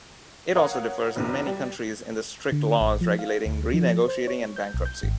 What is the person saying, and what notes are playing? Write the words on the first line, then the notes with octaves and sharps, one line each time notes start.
It also differs in many countries in the strict laws regulating renegotiating and bankruptcy.
A#4 C#5 F5 F#5 A#5 D#6
F#1 B1 E2
G3
D3
A1
F3
F5
D2
F3
C5
C#5
G6
B1
G6
G#1